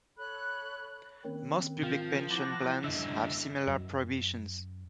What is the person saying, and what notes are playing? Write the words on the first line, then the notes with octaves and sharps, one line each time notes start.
Most public pension plans have similar prohibitions.
A4 C#5 B5 F#6
D#3 A#3 C4 C#4
F3 F5 G5
E4 F#5 A5 D6 F#6 A#6
F#2 D3 D#5 E5 E6
F#2